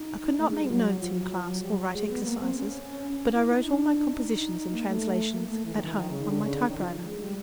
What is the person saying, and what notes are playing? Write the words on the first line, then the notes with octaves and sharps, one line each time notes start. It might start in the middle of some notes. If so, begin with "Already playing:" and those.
I could not make notes in class or write exercises; but I wrote all my compositions and translations at home on my typewriter.
Already playing: D#4
A3
G#3
G3
F#3
F3
F#3
F3
F#3
G3
F#3
G#3
B3
A#3
C4
C#4
E4
D#4
D4
D#4
A#3
A3
A#3
A3
E3
D#3
E3
D#3
C#3
D3
C#3
D3
D#3
F3
G#3
G3